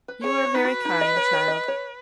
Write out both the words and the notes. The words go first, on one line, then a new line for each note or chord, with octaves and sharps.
'You are very kind, child.
B4
G#4 C#5
F#4
D#4 B4
F#4
D#4
D#5
C#5
C#5
D#5
C#5